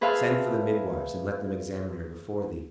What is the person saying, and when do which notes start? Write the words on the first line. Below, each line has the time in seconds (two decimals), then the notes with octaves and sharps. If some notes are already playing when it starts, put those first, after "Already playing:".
Send for the midwives and let them examine her before thee.
0.01 G#4 B4 C5 E5 F5 A5